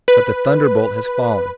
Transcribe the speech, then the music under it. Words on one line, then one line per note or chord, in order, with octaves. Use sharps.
But the thunderbolt has fallen.
B4